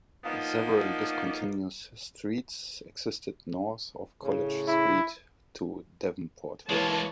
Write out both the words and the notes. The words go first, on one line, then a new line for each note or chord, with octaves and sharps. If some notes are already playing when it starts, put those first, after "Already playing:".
Several discontinuous streets existed north of College Street to Davenport Road.
F3 A#3 B3 D4 D#4 F4
A2 C#3
E4
E3 G#3 A#3 C#5 A5